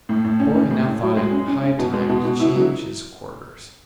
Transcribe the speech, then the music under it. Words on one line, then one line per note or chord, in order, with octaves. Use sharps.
Borri now thought it high time to change his quarters.
A2
A2
C#4
C#4
A2
A2
F#3
G#3
C#4
C#4
C#4
B2
G#3
B2
B2
E4
F#3